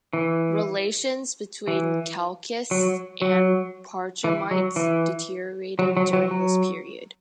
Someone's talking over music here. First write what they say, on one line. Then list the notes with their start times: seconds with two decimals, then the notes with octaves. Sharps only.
Relations between Khalqists and Parchamites deteriorated during this period.
0.13 E3
1.68 E3
2.71 F#3
3.22 F#3
4.24 E3
4.51 F#3
4.76 E3
5.79 F#3
5.97 F#3
6.13 F#3
6.31 F#3